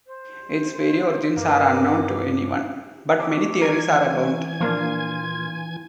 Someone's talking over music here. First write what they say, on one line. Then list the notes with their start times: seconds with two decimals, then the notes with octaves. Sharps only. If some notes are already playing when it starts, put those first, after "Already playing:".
Its very origins are unknown to anyone, but many theories are abound.
0.07 C5
1.37 G2 A#3 B4 D6
3.19 A3 G4
3.62 E3 A#4 G#5 G#6
4.60 A#2 F3 A#3 D4 F4